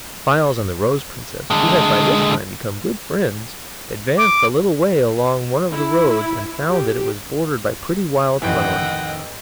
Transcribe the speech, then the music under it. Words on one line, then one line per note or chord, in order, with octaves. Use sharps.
Files and the Rose Princess, who had by this time become good friends, advanced a little way along one of the roads and found that it was bordered by pretty wild flowers.
D3 G#3
D6
E4
G4
A1 F2 D#3 E3 C#4 D#5 F#5 G5